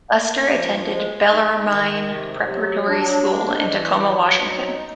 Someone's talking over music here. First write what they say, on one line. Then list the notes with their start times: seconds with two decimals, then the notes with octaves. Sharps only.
Lester attended Bellarmine Preparatory School in Tacoma, Washington.
0.13 A#3
0.53 F3
0.92 G#3
1.32 D#4
1.70 D#3
2.10 C3
2.49 F#3
2.88 D4
3.27 G#3
3.67 E3
4.06 F#3
4.45 D#4